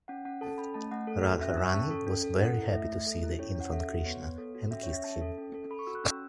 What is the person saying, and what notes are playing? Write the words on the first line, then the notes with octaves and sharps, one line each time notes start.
Radha Rani was very happy to see the infant Krishna and kissed him.
C#4 F#5
C#4 F#5
A4 A5
C#4 B5
A3 A5
A3 F#5
A4
F#4
C#4 E5
F#6
C#4 E6
C#6
C#4 A5
A4
C#4
A4
A4 F#5
E4
A3 E5
A3
A4
E4
C#4 C#5
C#4
F#5
A4 E5
F#4 F#5
B3 C#5
B3
A4
F#4
C#4 E5
C#4 C#5
E5
C#4 A5
A4
C#4
A4
A4 B5
C#6
F#4 E6
F#6
C#4 E6